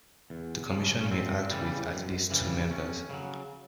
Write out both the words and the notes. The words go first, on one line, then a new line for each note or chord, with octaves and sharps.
The Commission may act with at least two members.
E2
C#3 F3
C#4
F#2 C4
C#3 E3 G3
F#2
C#3 E3 G3
F2 C#4
C#3 F#3